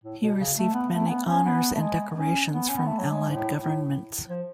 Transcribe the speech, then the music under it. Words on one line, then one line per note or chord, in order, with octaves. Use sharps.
He received many honours and decorations from Allied governments.
A2
B2
C#3
A3
B3
A3
C#4
B3
C#4
B3
A3
G#3
C#4
B3
C#4
B3
A3
F#3
G#3
G#2
A2
A2
F3